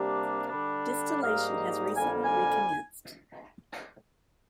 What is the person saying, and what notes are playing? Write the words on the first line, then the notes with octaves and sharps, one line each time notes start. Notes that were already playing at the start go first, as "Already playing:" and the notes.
Distillation has recently recommenced.
Already playing: C3 G3 A#3 D4
D3 G3 D4
G#2 G3 A#3 D#4 F5
F2 D3 G3 A#3 G#5
G#5